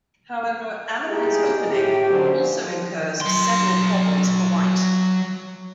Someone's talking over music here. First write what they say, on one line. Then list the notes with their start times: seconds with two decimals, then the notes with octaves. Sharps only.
However, Alapin's Opening also incurs several problems for White.
1.08 G#3 D#4 E4 G4 G#4
1.67 A2 G4
2.09 G#2 B2 D3 F#3 C#4 C5
2.39 F3
3.21 F#3 C6